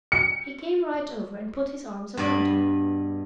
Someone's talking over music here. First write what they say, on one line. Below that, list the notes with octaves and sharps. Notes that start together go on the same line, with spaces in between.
He came right over and put his arms around me.
C#7
G2 B2 B4 D5